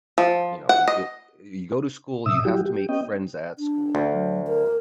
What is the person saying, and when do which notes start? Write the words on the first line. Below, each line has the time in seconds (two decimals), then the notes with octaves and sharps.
you know, it you go to school, you have to make friends at school.
0.18 F3
0.69 F#5
0.88 D#5
2.26 A2 C3 E5 D#6 E6
2.45 F#3 G3 E4 F#4 G4
2.66 G4
2.89 B3 C#4 D#5 G5
3.59 D4
3.95 D2
4.13 F#3
4.47 A#4